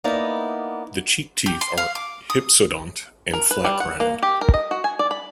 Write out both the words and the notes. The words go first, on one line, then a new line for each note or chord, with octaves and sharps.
The cheek teeth are hypsodont and flat-crowned.
A#3 B3 D#4 E4 D5
G4
C6
F5
D6
D#6
A#4
B4
G3
F#5
A#3
G4
A#4
D#5
F#4
G#5
D5
B5